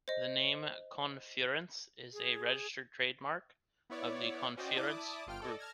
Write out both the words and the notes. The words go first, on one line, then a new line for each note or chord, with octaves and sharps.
The name ConFurence is a registered trademark of the ConFurence Group.
C5 D#5
G#4
B3 E4 C#5 D5
C#4 F#4 C5 D5 D#5 G5
E4 D5 A5 D6 D#6
G1 F4 G5 F6 D7
A4 D5 D#5
A5 F6 G#6 A#6